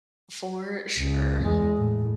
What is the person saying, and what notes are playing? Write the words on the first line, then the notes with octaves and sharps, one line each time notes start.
For sure.
C#2
E2 G#3
A2